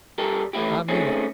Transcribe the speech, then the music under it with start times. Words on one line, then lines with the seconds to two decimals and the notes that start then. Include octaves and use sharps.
I mean it!
0.18 G3 G4 A4 A#4
0.53 E3 A3 E4 G4
0.88 D#3 G#3 A3 C4 C#4